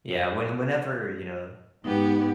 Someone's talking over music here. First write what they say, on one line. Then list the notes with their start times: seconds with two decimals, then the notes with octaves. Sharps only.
Yeah, when whenever, you know
1.84 G#2 B3 D#4 G4